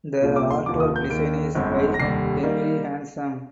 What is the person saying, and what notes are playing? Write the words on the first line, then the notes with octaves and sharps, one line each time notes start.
The artwork design is by Hendry Handsome.
C2 A#2 F3 C4
D6
C6
F1 D#2 D3 F3 A#3 D6
D#6
G6
D#2 D#3 A#3 D7
G1 F2 D3 G#3 C4
A#6
F1 D#2 D3 G3 C7
D#3 G3 A#3